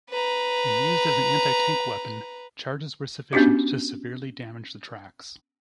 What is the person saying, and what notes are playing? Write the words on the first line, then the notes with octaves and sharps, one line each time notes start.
When used as an anti-tank weapon, charges were sufficient to severely damage the tracks.
B4 A#5
B3 C#4 D4 F#4 G4